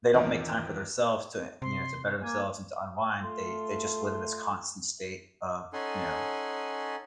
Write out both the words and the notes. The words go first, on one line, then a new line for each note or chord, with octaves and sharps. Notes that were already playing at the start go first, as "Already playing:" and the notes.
They don't make time for their selves to en you know, to better themselves and to unwind, they they just live in this constant state of, you know,
E2 C3 D#3 F4 D5
C3 C6
A#3 G#5
A3 F4
C#4 D#4 A4 F#5 G#5 C6